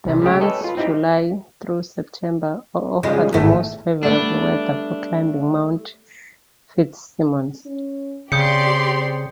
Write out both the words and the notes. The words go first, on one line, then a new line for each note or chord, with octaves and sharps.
The months July through September offer the most favorable weather for climbing Mount Fitzsimmons.
C2 C3
C#3 G#3 A3 G4
A4 B4 C#5 D#5 G5 G#5
F4 B4
C4 D#4 E4 G4
C#3 F3 G3 G#3
G#1 E2 A2 A3 A4
G3 A3 B3 D4
C#4
C#3 C4 G4 D5 C6 D#6 G6 C#7